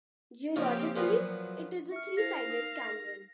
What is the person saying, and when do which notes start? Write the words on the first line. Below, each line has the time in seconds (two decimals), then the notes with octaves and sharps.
Geologically, it is a three-sided canyon.
0.56 C#3 F3 A#3 C4 G4 C#6
0.96 A#2 F3 F#3 B3
1.92 E5 C#6 F6
2.17 E4 C5 F5 F6 A#6
2.48 D#4 A#4